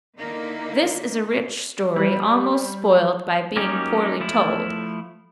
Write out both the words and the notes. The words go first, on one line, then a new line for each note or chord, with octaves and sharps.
This is a rich story almost spoiled by being poorly told.
D3 A#3 D#4 E4
G3
F#3 A#3 C#4 D#4 G4
F3 A3 E4